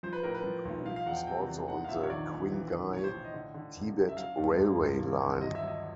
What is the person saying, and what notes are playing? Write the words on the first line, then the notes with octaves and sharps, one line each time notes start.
Nagqu is also on the Qinghai-Tibet railway line.
F3 C5
B4
A2 A#4
B4
F3
B1
F3 F5
F5
E2 F#5
G5
C3 G5
E2
G#2 F#5
F5
A#1 E5
C#5
D#3 D5
A#1
E3
B1
A2 C#5
C5
A2
D#5
D3
D3
F#1
F#3
E5
F#3 F5
G2
G1
G1
D#2
D3
F#3 D#5
E5
F#3
D#5